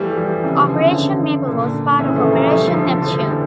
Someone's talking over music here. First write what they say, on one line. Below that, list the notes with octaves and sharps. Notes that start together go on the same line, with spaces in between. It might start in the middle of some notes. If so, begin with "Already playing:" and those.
Operation Maple was part of Operation Neptune.
Already playing: E3 F3 G3 A3
E3 G3
C#3 E3
D3 F3
D3
C#3 E3
C#3 E3
A#2 D3
C#3 E3
F3 A3
G3 A#3
F3 A3
D3 F3
D3 F3
D3 F3
E3 G3